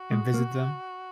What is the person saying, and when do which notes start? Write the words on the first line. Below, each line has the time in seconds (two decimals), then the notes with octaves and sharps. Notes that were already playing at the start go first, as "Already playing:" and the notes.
and visit them.
Already playing: F#4
0.12 G#3
0.34 A#3